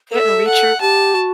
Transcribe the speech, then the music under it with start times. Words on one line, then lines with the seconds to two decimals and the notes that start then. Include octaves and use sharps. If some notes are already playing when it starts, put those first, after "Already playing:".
Didn't reach her.
0.13 A4 E5
0.47 F#5
0.81 G4 A5
1.14 F#4